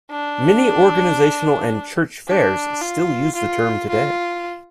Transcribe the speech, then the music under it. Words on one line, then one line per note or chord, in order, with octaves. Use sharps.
Many organizational and church fairs still use the term today.
D4
D4
F4
F4
F4